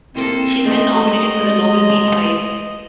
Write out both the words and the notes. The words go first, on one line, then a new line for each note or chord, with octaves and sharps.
She has been nominated for the Nobel Peace Prize.
A#3 C4 E4 A4 A#4
A3 D#4 G#4 D#5
G#3